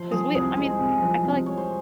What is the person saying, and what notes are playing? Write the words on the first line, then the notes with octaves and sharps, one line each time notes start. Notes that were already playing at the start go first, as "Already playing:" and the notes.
'Cause we I mean I feel, like,
Already playing: F3 C5
F3 G#4
C2 G#4
G#3 C5
C2
F3
C3
G#3 C#5
C5